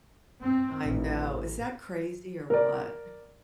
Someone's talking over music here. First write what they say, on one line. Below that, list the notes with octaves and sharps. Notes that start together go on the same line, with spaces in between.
I know, is that crazy or what?
C4
A1
A#4 D5